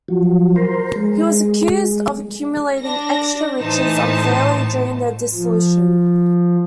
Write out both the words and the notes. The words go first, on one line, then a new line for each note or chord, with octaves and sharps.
He was accused of accumulating extra riches unfairly during the dissolution.
F3 F#3
A#4 C5
G#3
D4 A#6
A2 E3 D#4 C5 A5
F3